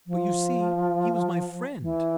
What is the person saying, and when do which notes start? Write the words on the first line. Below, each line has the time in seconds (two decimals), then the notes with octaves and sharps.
"But, you see, he was my friend."
0.07 F3
1.81 E3